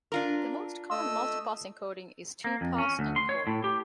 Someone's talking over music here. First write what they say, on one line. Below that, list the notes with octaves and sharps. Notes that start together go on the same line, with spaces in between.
The most common multi-pass encoding is two-pass encoding.
D4 F4 A#4
A3 D#5 E6
A#3
F2
C#4
D2
C6
C#5
A2
G4